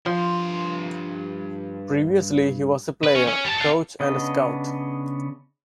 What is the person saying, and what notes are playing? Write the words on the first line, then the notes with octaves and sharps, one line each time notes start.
Previously, he was a player, coach, and scout.
G2 F3 C6
B4
C#4
C#4
G3 A5
A4 F5
C#3 B3 D4 D#5